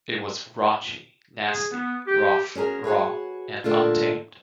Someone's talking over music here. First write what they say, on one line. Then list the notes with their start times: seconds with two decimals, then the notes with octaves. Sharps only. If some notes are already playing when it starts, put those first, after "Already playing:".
It was raunchy, nasty, rough, raw, and untamed.
1.48 G#4
1.71 B3
2.07 G4
2.55 C#4 F#4 G#4 A#4
2.84 F#4 G#4 B4 C#5
3.64 A#2 D3 A3 F4